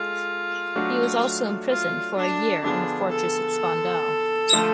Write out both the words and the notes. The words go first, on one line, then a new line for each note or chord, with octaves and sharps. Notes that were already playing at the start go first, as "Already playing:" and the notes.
He also was imprisoned for a year in the fortress at Spandau.
Already playing: G#3 F4 A4
F#3 A3 D4 F#4
F4
D4
D3 F3 B3 D4 F4 G#4
A4
D3 F3 A3 F4